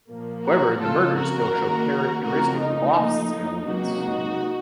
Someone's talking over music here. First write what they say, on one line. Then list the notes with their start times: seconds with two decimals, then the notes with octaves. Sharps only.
However, the murders still show characteristic Lofts elements.
0.09 A#2 F3 A#3
0.44 F#4 A#4
0.80 F2 C#3 F3 F4 A4
1.16 F#4 A#4
1.51 F#2 D#3 A#3
2.23 F2 C#3 F3 A3 F#4 A#4
2.59 D#4
2.95 A2 F3 A#3
3.66 C#2 C3 F#3 A#3 D#4 F#4